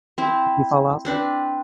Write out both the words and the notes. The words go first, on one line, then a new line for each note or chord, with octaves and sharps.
You fall off?
C4 E4
C4 D4 B4